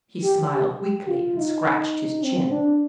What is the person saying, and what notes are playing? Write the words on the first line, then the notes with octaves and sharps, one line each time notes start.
He smiled weakly and scratched his chin.
G4
G4
F4
D#4
C4
D4